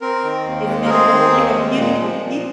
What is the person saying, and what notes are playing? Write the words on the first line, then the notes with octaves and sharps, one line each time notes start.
It's gonna look like a few different peop
C4 A#4
D#3
D#2
G#3
A#4
C4 G#4
D#3
D#2
G#3
A#2
F3
A#2